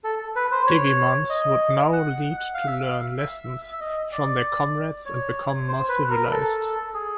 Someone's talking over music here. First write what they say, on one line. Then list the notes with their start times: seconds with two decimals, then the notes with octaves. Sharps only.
Digimons would now need to learn lessons from their comrades and become more civilized.
0.04 A4
0.36 B4
0.52 C5
0.67 C#5
1.30 D#5
1.93 F#5
2.54 F5
2.67 E5
2.80 F5
3.18 E5
3.72 E5
3.80 D#5
4.12 D5
5.06 C#5
5.68 C5
5.89 B4
6.10 A#4
6.31 A4
6.94 G#4